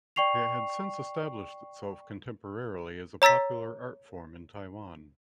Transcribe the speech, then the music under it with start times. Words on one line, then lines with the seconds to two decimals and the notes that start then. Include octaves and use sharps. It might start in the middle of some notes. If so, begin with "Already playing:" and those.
It had since established itself contemporarily as a popular art form in Taiwan.
0.16 D5 G5 C#6 C7 F7
3.22 C#5 A#5 E6 A6 B6